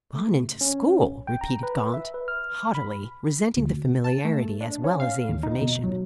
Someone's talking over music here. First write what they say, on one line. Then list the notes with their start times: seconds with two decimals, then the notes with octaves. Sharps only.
"Gone into school!" repeated Gaunt, haughtily, resenting the familiarity, as well as the information.
0.15 A3
0.32 C#3
0.61 C#4
1.11 B1
1.27 G5
1.41 A#5
1.63 B4
1.94 E5
2.14 B4
2.28 F6
2.75 B5
3.57 D2
4.04 A5
4.25 A3
4.61 D4
4.84 C#4
5.00 F5
5.29 D#2
5.43 D#4
5.62 B2
5.84 F#3